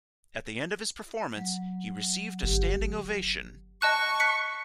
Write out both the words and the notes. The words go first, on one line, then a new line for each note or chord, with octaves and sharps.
At the end of his performance he received a standing ovation.
F#3
G1 F#3 G4
D#5 A5 C#6 F#6
F#6 B6 C#7